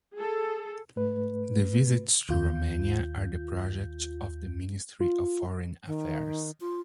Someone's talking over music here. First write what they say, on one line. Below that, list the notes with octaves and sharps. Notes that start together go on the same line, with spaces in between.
The visits to Romania are the project of the Ministry of Foreign Affairs.
G#4 A4
G#2 A3 B4
D#2 F4 G6
F4
D#3
F4